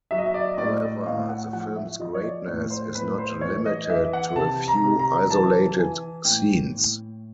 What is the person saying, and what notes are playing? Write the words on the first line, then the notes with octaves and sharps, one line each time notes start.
However, the film's greatness is not limited to a few isolated scenes.
F#3 E5
D#5
E5
D5
D#5
A2 D5
D#5
A2 F5
F#5
F3 F#5
E5
F3 D#5
C#5
D5
A2 C#5
C5
A2 B4
B4
C5
E3 C#5
D#5
E3 E5
F#5
C3 A5
A#5
C3
A#5
E3 A5
E3 G#5
A2 G5
A2